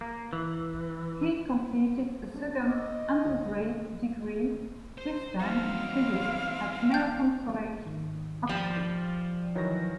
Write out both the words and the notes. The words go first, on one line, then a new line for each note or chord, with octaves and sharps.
He completed a second undergraduate degree, this time in physics at Merton College, Oxford.
A#3
E3
C4 D4
D#5 C#6 D6 E6
D2
A3
C5
E3 C4 D#4 F#4 F5
G5 G6
G#2 D#3
F3 G3
D#3 E3 F#3 C#5 D#5 A#6